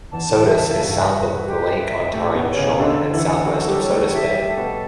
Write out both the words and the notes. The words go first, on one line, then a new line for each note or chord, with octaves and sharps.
Sodus is south of the Lake Ontario shore and southwest of Sodus Bay.
E2 E3 A5
E2 E3
E5
C#3
G2 G3 F#4
B4
G4
E5
A2 A3 G4
B2 B3
C#5
C#3 C#4
D3 D4 A4
E3 E4 F#5
F#3 F#4 A4
G3 G4
C#5
A3 A4
A4
G3 G4 E5
G3 G4
A4
B2 B3